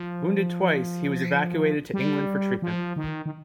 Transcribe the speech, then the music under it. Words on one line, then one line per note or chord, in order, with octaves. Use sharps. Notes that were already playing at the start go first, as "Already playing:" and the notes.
Wounded twice, he was evacuated to England for treatment.
Already playing: F3
G3
F3
D#3
D#3